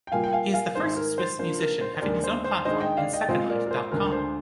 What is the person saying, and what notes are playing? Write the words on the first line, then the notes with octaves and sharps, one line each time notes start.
He is the first Swiss musician having his own platform in SecondLife dot com.
G5
A#2 G3 A#3 F4 F5 G#5
G5
F5 G#5
F5 G#5
G#2 D#3 G#3 C5
A#4
C5
F3 A#3 D4 C5
A#4
C5
C5
D#2 D3 G#3 A#4 D5
C5
C5
D#3 G#3 D4 G#4 C5 D#5
D#5 G5
D5 F5
D#5 G5
A#2 G#3 C4 F4 C5 D#5
A#4 D5
A#4
C5
D2 D3 G#3 D4 A#4
C5